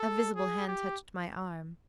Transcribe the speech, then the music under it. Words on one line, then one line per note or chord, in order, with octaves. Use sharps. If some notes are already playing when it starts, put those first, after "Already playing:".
A visible hand touched my arm.
Already playing: A4
G#4
G4